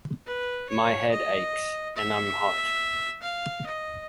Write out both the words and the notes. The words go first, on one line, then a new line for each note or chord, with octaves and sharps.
My head aches, and I'm hot.
B4
C#5
D#5
E5
F5
D#5